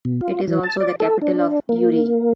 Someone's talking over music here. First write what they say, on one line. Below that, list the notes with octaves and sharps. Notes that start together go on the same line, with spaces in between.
It is also the capital of Uri.
B2
F4
E3
A5
D5
A4
D4
A#3